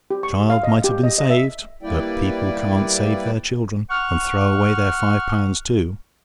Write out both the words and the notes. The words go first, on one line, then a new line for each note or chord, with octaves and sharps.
The child might have been saved; but people can't save their children and throw away their five pounds too.
G4
C#6
F5
D#5
G4
D#5
D#5
E5
G3 A#3 E4 B4 D5 G5
F#5 C#6 F6